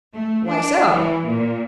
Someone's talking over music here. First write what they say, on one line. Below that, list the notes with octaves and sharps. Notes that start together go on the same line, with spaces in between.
"Why so?"
A3
D4
E3
A#2